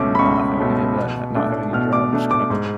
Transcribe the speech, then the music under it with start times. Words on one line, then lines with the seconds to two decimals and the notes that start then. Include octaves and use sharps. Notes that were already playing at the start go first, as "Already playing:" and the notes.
you not having any of that not not having any drive, just kinda
Already playing: C#2 B2 A3 C#4 D6
0.15 B5
0.19 C#2 C#6
0.57 B2 A3 C#4
0.97 B2
1.36 A3 D4
1.73 B2 F6
1.93 D6
2.13 A3 D4
2.31 D6
2.50 G#2